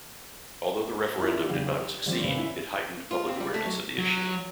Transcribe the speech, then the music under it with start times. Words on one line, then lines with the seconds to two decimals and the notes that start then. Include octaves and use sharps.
Although the referendum did not succeed, it heightened public awareness of the issue.
1.18 E4 F4 G4 D5
1.49 E2 C#3 F#3 G#4 F5 G5
1.79 G4
2.06 D3 F3 G3 A3 C4 C#4
2.23 G2 A#2 C#3 C4 B4
2.37 C#4 E4 F#4 D5 E5
3.11 F4
3.28 C4
3.40 G3
3.54 A3
3.66 F#3
3.98 F#3